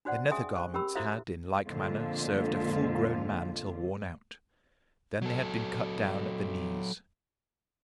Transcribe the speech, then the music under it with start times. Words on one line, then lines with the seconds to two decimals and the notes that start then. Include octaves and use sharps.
The nether garments had, in like manner, served a full-grown man till worn out; then they had been cut down at the knees.
0.05 D4 F#4 C5 D5 F#5
0.31 C#4 G#4 E5 G#5 C6 D#6
0.56 C5 C#6
0.74 C#4 G4 A#4 B5 E6
0.95 E4 F#4 A4 C5 E5 F5
1.64 F2 A#2 D3 G#3 F4
5.22 F#3 A4